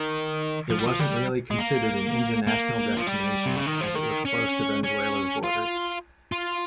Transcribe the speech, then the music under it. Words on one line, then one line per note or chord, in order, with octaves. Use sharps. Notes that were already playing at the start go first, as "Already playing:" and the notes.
It wasn't really considered an international destination as it was close to Venezuela's border.
Already playing: D#3
F3
G3
F3
G3
G#3
A#3
A#3
F3
G3
C3
C#3
D#3
F3
D#3
C#4
C#4
F4
F4